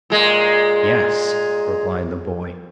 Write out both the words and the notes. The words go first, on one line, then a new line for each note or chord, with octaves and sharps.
"Yes," replied the boy.
A#2 G#3